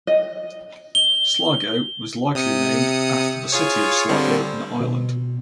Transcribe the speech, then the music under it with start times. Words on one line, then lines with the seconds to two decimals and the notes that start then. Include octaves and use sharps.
Sligo was likely named after the city of Sligo in Ireland.
0.07 D#5
0.95 G7
2.35 C3 D#6 C#7
3.52 F4 G#4 C#5
4.09 D3 G3 C4
4.81 B2